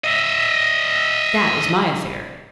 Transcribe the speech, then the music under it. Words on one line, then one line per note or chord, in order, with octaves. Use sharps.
'That is my affair.
D#5 E5